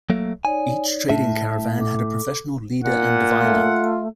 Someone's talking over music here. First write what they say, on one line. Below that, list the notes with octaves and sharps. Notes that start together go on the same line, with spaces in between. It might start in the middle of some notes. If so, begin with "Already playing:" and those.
Each trading caravan had a professional leader and diviner.
F#3 A3 A#3
D#4 C#5 D5 G#5
A2 E5 A5
A4 D6
A#2 F#5
A3 F4